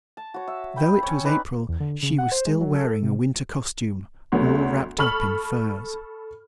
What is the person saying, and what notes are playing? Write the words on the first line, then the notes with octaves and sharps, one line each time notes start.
Though it was April, she was still wearing a winter costume, all wrapped up in furs.
A5
F#4 C#5
E5
G5 B5
C#4 C#5
D#4 B4 D5
E2
D3
C#3
F#5
C5
G#3
F#3
A4
C3
D2 F#3 A3 B3
A4 B5 C#6 F6 F#7